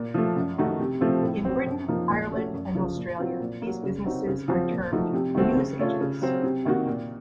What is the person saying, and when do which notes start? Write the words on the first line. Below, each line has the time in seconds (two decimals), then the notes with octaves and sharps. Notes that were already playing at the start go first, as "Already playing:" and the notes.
In Britain, Ireland and Australia, these businesses are termed "newsagents".
Already playing: A#2
0.14 F3 A3
0.36 F#2
0.58 D#3 A3 D#4 F#4
0.79 C3
1.01 F3 A3 C4
1.23 A2
1.45 F#3 C4
1.66 F#2
1.88 F3 A#3 D#4
2.09 A#2
2.31 A3 C#4 F#4
2.53 F#2
2.75 C#3 F3
2.96 A#2
3.18 F#3 C4 F4
3.40 A#2
3.62 F#3 A#3
3.83 C#3
4.05 F#3 C4 D#4 F#4
4.27 C#3
4.48 F3 C4 F#4
4.70 A#2
4.92 F3 A3 D#4 F#4
5.13 C3
5.35 D#3 A3 C4 F#4
5.56 C#3
5.79 A3 C#4 F4
6.01 C#3
6.22 F#3 C4
6.43 C3
6.65 D#3 A#3 D#4 F#4
6.87 A#2